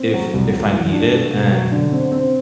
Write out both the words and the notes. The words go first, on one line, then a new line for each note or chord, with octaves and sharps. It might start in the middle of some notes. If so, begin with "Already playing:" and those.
if if I need it, and
Already playing: C4
F#3
C2
F#3
E3
D4
A3
B2
F#3
D3
C4
C4